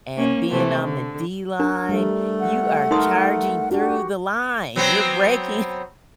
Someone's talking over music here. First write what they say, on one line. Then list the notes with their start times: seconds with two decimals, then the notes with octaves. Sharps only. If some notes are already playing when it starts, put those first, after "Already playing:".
and being on the D line, you are charging through the line, you're breaking
0.17 A#3 C#4
0.51 C3 E3 A3 C4
0.83 D3
1.60 D4 A#4
1.89 G3 A3
2.40 F#5
2.91 D#4 A#4 C6 D#6
3.71 D4 F#4 G4
4.76 F#3 B3 C4